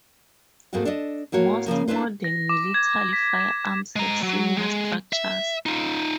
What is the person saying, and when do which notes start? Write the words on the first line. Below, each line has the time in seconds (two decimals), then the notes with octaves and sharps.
Most modern military firearms have similar structures.
0.73 G#2 A3 A#3 C4 F#4
0.85 D4 A4 D5 D#5
1.32 A2 A#3 F#4 C#5
1.66 C#3 E3 F3 A#3
1.88 A3 D4 E4 B4 C5
2.24 A#6
2.49 D6
2.74 G#6
3.13 B6
3.40 E7
3.96 G#3 A#5
4.23 F#3
4.58 G#3
5.13 E5
5.66 D#4 F4